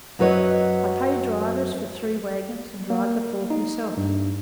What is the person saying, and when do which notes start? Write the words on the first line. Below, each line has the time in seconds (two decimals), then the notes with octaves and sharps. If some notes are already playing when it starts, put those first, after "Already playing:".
I pay drivers for three waggons and drive the fourth myself.
0.19 F#2 F#3 B4 C#5 D#5
2.90 A#3
3.50 D#4
3.97 G2